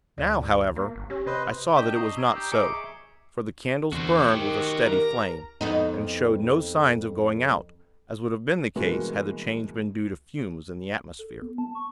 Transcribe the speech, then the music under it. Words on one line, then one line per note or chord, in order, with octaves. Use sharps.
Now, however, I saw that it was not so; for the candles burned with a steady flame, and showed no signs of going out, as would have been the case had the change been due to fumes in the atmosphere.
D2 D5
A#3
G1
C#4 G4 C#5
C3 B4 C5 D#5
D4 D#5 G5 B6 E7 G7
D#5 A#5 C#6 D#6 C7
E6 G#6 D7
G4
G#4 D#5 E5 D6 C7 C#7
A#1 E2 D3 F#4 C5
D#3 G4
A#4 A#5
F2 B3 D#4
G2 B2 E3 G#3 A#3 F#4
A4
B3
A5
C#6